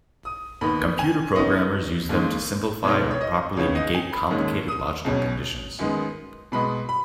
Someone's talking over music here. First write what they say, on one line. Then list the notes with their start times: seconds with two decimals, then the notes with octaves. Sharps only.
Computer programmers use them to simplify or properly negate complicated logical conditions.
0.25 D#6
0.61 D#2 D#3 B3 D#4 B5
0.99 G#5
1.35 C#3 F#3 B3 D#4 D#5
2.09 D#2 C#3 G#3 D#4
2.83 B2 G#3 B3 D#4 C#5
3.11 C#5
3.21 D#5
3.57 C#2 C#3 B3 D#4 C#5
3.75 D#5
3.95 G#5
4.12 B5
4.30 D#2 D#3 G#3 C#4
4.68 D#6
5.05 C#2 B2 F#3 C#4
5.79 F#2 D#3 G#3 B3
6.52 B2 G#3 B3 B5
6.89 B5